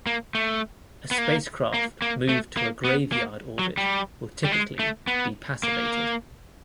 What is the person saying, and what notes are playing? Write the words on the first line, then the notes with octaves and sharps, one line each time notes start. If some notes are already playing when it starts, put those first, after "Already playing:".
A spacecraft moved to a graveyard orbit will typically be passivated.
A#3
A3
B3
A#3
A#3
A#3
A3
A#3
B3
A#3
F#3
G3
G3
G#3
A3
B3
A#3